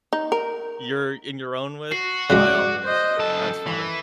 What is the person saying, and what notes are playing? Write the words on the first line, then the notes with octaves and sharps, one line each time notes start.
you're in your own with, by all means. That's fine.
D#4
A#4
F#4 C7
C#3 F#3 G#3 D5 F#6
C5 D#5
F#2 A4 A5
E3